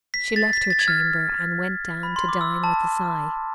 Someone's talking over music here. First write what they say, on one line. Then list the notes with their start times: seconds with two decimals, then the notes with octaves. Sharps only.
She left her chamber and went down to dine with a sigh.
0.14 B6
0.36 A6
0.53 B6
0.70 A6
0.79 G#6
0.88 F6
2.03 B5
2.16 C6
2.29 D6
2.41 E6
2.64 A5